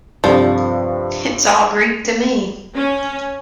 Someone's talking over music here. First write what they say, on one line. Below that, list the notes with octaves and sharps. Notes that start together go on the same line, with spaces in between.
It's all Greek to me.
G2 C3 F3 F4 A4 D5
C#4